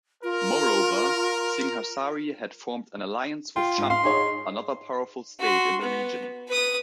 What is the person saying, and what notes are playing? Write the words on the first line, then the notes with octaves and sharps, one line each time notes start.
Moreover, Singhasari had formed an alliance with Champa, another powerful state in the region.
F4 A#4
F4 G5
G#2
F5 C6
D#4 G#4 C#5
F#4 C6
B3
B4 D#6